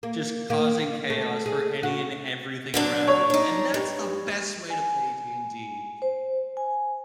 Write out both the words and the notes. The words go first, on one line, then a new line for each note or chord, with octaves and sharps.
just causing chaos for any and everything around them, and that's the best way to play D&D
A#3
A#3
A3
G#4
F#4
D3 F#3 D4
C#5
D4 D#4
G2
G#5
C5
G#5